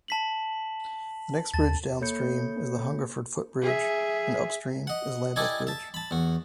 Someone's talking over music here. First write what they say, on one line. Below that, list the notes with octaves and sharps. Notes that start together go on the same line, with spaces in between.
The next bridge downstream is the Hungerford footbridge and upstream is Lambeth Bridge.
A5 B6 F#7
D#2 A5 A6
A#3 A4 C#5 B5 G6 C#7
G#4 E5
D#5 F#5
E4 G4 A4 D5 D#5 G#5
E5 A5
A5 B5
E2 F#4